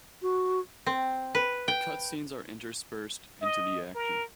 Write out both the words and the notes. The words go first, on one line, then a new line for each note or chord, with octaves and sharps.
Cut scenes are interspersed into the action.
F#4
C4
B4
G5
D#5
A#4